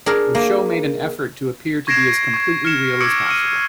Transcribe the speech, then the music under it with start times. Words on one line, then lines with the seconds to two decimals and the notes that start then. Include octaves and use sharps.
The show made an effort to appear to be as completely real as possible.
0.06 D4 G#4 A#4
0.35 A#3
1.87 C#6 G#6 A#6 C7 D7 E7
2.34 C#6 G#6
2.65 F6 G#6 C#7 E7
3.00 C#6 D6 E6 G#6 C#7 D7
3.26 F6 C#7 D#7